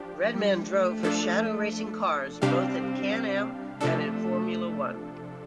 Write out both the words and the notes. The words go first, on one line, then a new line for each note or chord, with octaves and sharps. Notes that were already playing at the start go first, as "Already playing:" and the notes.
Redman drove for Shadow Racing Cars both in CanAm and in Formula One.
Already playing: F3 D4 G4
G3
A3
F3 D4 A4
C3 G3 C4 D4 G4 F5
C3 F3 A3 D4 A4